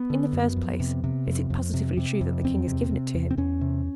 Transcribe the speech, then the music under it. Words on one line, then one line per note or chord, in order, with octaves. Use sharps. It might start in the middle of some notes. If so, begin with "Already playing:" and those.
"In the first place, is it positively true that the king has given it to him?"
Already playing: B3
D3
F#2
F2
C3
C3
F2
F2
C3
C3
F2
E2 C4
C3
C3
E2
C4
E2 C#4
C3